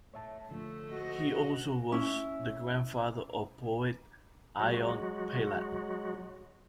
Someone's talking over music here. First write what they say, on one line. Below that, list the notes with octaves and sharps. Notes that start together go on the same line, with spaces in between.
He also was the grandfather of poet Ion Pillat.
A2 C#5 E5 A5
A2 D3 F3 A3
F#4 C5 D#5
C#4 E4
F#3 G#3 F#4